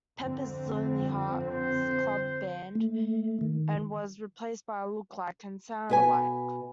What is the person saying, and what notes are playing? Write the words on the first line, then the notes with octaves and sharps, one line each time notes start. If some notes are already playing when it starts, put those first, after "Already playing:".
Pepper's Lonely Hearts Club Band and was replaced by a look-alike and sound-alike.
F2 D3 C4
C5
A3
D#3
B2 B4 G#5